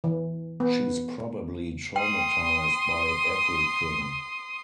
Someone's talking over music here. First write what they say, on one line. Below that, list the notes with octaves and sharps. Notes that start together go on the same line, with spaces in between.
She's probably traumatised by everything.
E3
B3
G5 C6 D#6